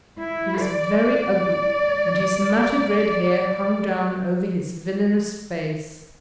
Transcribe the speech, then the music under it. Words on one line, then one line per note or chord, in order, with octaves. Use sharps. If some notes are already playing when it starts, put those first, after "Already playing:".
He was very ugly and his matted red hair hung down over his villainous face.
E4
D5